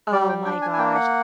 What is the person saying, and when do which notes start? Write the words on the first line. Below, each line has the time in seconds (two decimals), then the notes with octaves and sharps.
Oh my gosh.
0.12 G3 D5
0.29 G5
0.45 D4 G5
0.62 G#5
0.73 G#5
0.78 A#3 G5
0.95 F#5